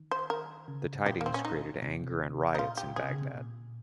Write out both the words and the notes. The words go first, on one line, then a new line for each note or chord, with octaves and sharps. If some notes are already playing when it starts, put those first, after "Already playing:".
The tidings created anger and riots in Baghdad.
Already playing: D#3
C5
A#4
C#3
A#2 G4
A#3
C4
C#4
D#4
C3
C3
D#4
A#2 F4
G4
C3 G#4
C#3
C3
A#2